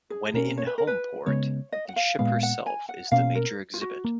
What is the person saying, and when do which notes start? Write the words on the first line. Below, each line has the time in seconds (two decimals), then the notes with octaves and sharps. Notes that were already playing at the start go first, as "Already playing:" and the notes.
When in homeport, the ship herself is the major "exhibit".
0.10 G#4
0.34 B2 A#3 C#4 A#4
0.58 C#5
0.67 B4
0.78 A#4
0.87 B4
1.26 C#3 G#3 B3 C#5
1.72 D#5
1.89 F#5
1.96 F5
2.19 A#2 G#3 B3 F5
2.43 F#5
2.66 G#5
2.89 F#5
3.12 B2 A#3 C#4 F5
3.35 A#4
3.74 F4
3.82 F#4
4.05 A#3